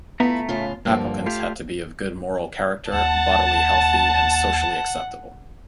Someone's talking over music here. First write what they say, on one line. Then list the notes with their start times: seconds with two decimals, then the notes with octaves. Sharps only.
Applicants had to be of good moral character, bodily healthy and socially acceptable.
0.20 A3 B3 E4 F4 E5 A#5
0.49 A2 C#3 F4
0.85 G2 D3 F3 A#3
1.26 A3 F4 G4 F5
2.93 D#2 F#5 A5